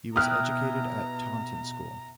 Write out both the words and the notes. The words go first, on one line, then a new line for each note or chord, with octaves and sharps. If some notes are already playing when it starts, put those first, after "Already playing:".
He was educated at Taunton School.
B2 B3 E4 G4 A#5 D#6 F6 F#6